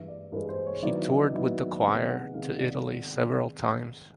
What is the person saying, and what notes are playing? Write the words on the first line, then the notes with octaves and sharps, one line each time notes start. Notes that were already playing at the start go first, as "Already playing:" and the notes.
He toured with the choir to Italy several times.
Already playing: G2 E3 G#3 E5
D5
G2 E3 G#3 B4
C5
C#5
D#3 F#3 B3 E4 D5
D#5
D#3 F#3 B3 E4
C3 D#3 G#3 B3 F#5
F#5
C3 D#3 G#3 B3 F5
D5